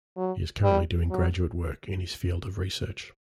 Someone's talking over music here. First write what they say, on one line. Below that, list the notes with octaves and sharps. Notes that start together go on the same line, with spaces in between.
He is currently doing graduate work in his field of research.
F#3
G3
F#3